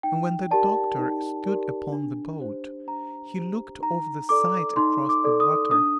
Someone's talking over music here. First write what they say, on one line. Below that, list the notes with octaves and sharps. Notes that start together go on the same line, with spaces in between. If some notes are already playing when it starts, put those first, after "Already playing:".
And when the Doctor stood upon the boat, he looked over the side across the water.
D#4 G5
G4 A#4 D5 A5
D#4
G4 A#4 D5
D4
G4 C5
D4 A#5
G4 C5
D#4 A#5
A4 D5 D6
D#4 C6
D6
A4 D5
D#6
D4 D#6